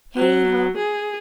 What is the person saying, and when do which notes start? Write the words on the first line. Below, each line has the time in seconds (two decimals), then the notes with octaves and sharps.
Hey ho!
0.17 F#3
0.77 G#4